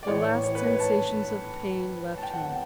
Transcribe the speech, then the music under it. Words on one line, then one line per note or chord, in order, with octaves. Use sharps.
The last sensations of pain left him.
D5
A2 E3 C#5
C#5
B4
C#5
A5
A5
G5
F#5
G5